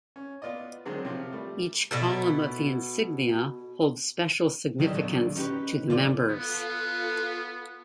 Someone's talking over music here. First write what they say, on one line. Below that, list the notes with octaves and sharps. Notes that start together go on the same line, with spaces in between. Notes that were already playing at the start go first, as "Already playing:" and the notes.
Each column of the insignia holds special significance to the members.
C#4
B3 F4 D5 D#5
D3 D#3 F#3 G#3 C4
C3 F3
G3 A3
B2 E4 A4
D#3 F#3 G3 A4 C#5 D#5
E2 A#2 D3 D#3 F#3 D4
C#4 D#4 F#4 G4 B4
D3 A#3 F4 A4 D5 C6
B3 F4 A4 F5